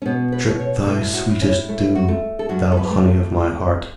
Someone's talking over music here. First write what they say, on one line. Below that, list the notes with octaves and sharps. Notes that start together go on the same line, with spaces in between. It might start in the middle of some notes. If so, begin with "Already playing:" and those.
Drip thy sweetest dew, thou honey of my heart!
C#4
B2 B3
B4
B2
C#5
A2 A4
F#4
A2
C#4
A3
F#4
A3
A4
F#2 F#4
A4
B4
A3